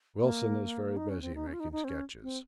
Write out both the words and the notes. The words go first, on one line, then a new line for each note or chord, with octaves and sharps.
Wilson is very busy making sketches.
A#3
D#4
C#4
C4
D#4
C#4
F4
D#4
D#4
C4
C#4
C4